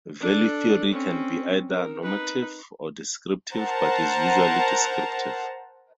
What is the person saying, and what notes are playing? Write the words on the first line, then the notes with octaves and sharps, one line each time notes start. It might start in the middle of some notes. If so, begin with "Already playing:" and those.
Value theory can be either normative or descriptive but is usually descriptive.
D4 A4
C4 C#4
A#4
D#4 B4
A#4 C5 F#5 A5 A#5